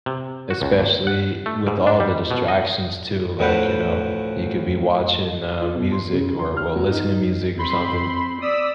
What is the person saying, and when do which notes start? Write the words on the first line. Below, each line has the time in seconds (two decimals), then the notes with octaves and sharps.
especially with all the distractions too. Like, you know, you could be watching, um, music or, well, listen to music or something
0.06 C3
0.50 F#4
0.62 C#2
0.78 D#2
1.07 F#5
1.46 A3
1.67 G#2
1.87 D4
2.00 G3
2.31 B2
2.48 D#5
3.39 D2 A2 F3 B4 C5 F#5
5.61 F4
5.75 B2
5.92 C6
6.12 C#3
6.39 C6
6.57 F6
6.76 F#3
6.91 D#4
7.59 C4 B5 C6
8.42 D5 D#6 E6 B6